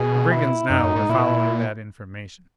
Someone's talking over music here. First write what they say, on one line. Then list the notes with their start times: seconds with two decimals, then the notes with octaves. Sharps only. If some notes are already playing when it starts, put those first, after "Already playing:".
The brigands now were following that information.
Already playing: B2 G#4
0.31 E4
0.70 F#2 D#4
0.83 F#2
0.96 G#2
1.09 A#2 E4